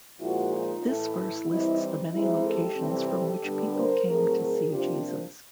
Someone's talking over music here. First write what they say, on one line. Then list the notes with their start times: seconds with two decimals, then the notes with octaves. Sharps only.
This verse lists the many locations from which people came to see Jesus.
0.19 A#2 F3 G#3 E4 F#4
0.52 D#4 F4
0.84 A2 E3 A3 E4
1.48 E3 G3 C4 D#4 E4
1.80 D#4
2.12 E3 G#3 C4 D#4 E4
2.44 G4 A4
2.77 C3 E3 G3 C4 D#4
3.08 G4 A4
3.41 D3 G3 B3 D4
3.73 A#4 C5
4.05 A2 F#3 A3 C4 D#4 G#4 A#4
4.37 G#4 A#4
4.69 C3 F3 A#3 D4 F4 G4